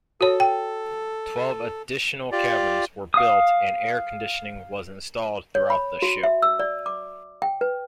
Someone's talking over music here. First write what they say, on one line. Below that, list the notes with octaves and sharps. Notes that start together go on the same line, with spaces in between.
Twelve additional cabins were built, and air conditioning was installed throughout the ship.
F#4 A4 C#5
G5
F4 G4 D5
F5 D#6
C#5
B5
F#4
E5
E6
D5
D6
G5
B4